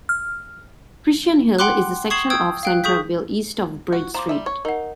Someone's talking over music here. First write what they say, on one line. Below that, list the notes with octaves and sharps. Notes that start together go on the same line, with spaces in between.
Christian Hill is the section of Centralville east of Bridge Street.
F6
F#5 G5 B5 C6 D6 F#6
C#6 D#6 G#6 C7 E7 F#7
G5 D#6 E6 G6 G#6
F5 G5 F#6
G#4 C#6 D#6 G6 B6
F#4
F3 A#5 C6 D6
G3 E5
C#5 C#6
D#4 A#4 F#5